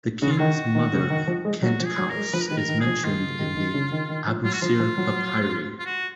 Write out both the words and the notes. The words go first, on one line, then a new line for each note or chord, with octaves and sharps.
The king's mother Khentkaus is mentioned in the "Abusir Papyri".
C#3 F#4
F4
D#3 F#4
D#3
C#3
D#3
F3
G#3
F#3 F#4
F3
G#4
F#3
A#4
G#3
F3 B4
A#4
D#3 B4
A#4
D#3
G#4
F3
D#3 F4
C#3
D#3
D#3
C#3
D#3
D#3
F3
F#3 F4
F#4
F3 F4
F3
F#3
F4
F#4